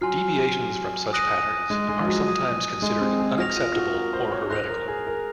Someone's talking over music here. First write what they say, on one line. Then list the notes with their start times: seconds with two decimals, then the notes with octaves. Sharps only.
Deviations from such patterns are sometimes considered unacceptable or heretical.
0.01 F#3 G#5 C6 F6 C7
1.13 D#6 F#6 A#6 D#7
1.70 G#3
1.89 G#3
2.00 F3
2.07 F#3
2.26 D#6 G#6 D#7
2.82 G#3
3.01 C4
3.20 G#4
3.38 F#4 F6 A#6 F7
3.57 F4
3.76 F#4
3.94 A#4
4.13 C5
4.32 C#5
4.50 C5 F#6 A#6 F7
4.69 A#4
4.88 G#4
5.07 A#4